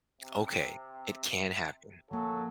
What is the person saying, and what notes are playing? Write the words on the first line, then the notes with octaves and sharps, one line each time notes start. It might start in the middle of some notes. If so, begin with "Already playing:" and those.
Okay. It can happen.
C3
F#2 C#3 F3 F#3 A#3 A4